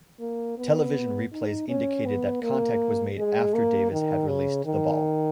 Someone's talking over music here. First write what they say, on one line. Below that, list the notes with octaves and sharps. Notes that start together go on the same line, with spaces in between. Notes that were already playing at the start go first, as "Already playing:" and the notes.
Television replays indicated that contact was made after Davis had released the ball.
A#3
B3
D#4
C#4
B3
A#3
G#3
A#3
D#3
C#3
D#3